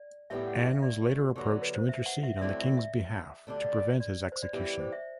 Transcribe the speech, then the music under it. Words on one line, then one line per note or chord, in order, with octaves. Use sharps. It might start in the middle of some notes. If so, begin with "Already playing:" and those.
Anne was later approached to intercede on the King's behalf to prevent his execution.
Already playing: D5
A2 G3 B3 E4 G4 E5
F#5
E5
D5
G4
F#4
D3 F#3 B3 G4
A4
B4
C5
E5
F#5
E5
E5
D3 F#3 A3 C4 E4 D5
E5
E5
D2 D3 G3 D4
D5
C5
D5
E3 G3 B3 E4 G4 E5
D5
C5
E5